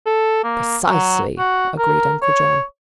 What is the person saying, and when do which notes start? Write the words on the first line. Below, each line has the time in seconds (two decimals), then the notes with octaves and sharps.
"Precisely," agreed Uncle John.
0.06 A4
0.44 A#3
0.89 F#3
1.39 F#4
1.78 A#4
2.22 C#5